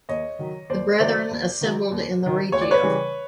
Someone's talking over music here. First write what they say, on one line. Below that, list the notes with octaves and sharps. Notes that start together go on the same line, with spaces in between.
The Brethren assembled in the Regia.
D#2 C#5 D#5
D#3 F#3
D#2 C5 D5
D#3 F#3 C5 D5
D#2
D#3 F#3
D#2
D#3 F#3
D2 C#5
D5
B4 C#5
C#3 E3 G3